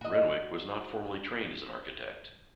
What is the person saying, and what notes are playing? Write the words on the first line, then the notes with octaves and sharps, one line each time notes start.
Renwick was not formally trained as an architect.
F#4 D#5